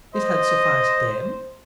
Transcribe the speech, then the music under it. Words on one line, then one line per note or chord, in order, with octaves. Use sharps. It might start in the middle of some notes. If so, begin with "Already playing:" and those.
It had sufficed them.
C5 D#5